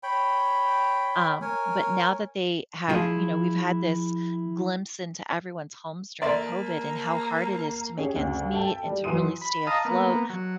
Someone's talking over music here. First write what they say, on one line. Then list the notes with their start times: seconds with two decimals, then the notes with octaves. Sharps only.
um, but now that they have, you know we've had this glimpse into everyone's homes during COVID and how hard it is to make ends meet and to really stay afloat,
0.03 C#5 G5 B5
1.42 A#4 C#5 G#5
2.89 F3 E4 F4 G#4
6.22 A#3 D5 E5 C6
7.98 C#4 G4 G#4
8.16 D2 C#3
8.53 A4 E5 G5 A5
8.86 G3
9.04 E3 F#3 E4 C6 D#6 D#7
9.41 B5
9.67 D#5 F5 A5 A#5 D#6
9.85 A#3 B3
10.30 F#3